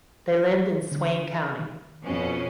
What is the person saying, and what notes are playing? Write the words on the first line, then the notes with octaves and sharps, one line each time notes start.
They lived in Swain County.
D3 D4
D#3
F2 B2 C#4